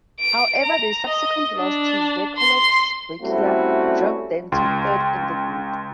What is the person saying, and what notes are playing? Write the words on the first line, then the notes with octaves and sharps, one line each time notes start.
However, their subsequent loss to Czechoslovakia dropped them to third in the group.
D7
A#5
D#5
D4
C6
G3 A3 C4 C#4 E4 F#4
C#2 G5 C6